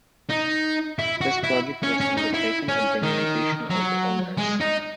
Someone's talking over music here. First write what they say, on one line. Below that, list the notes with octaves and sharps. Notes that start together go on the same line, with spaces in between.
This project was undertaken at the invitation of the owners.
D#4
E4
F#4
E4
C#4
C#4
D#4
E4
C#4
D#3
F#3
G#3
D#4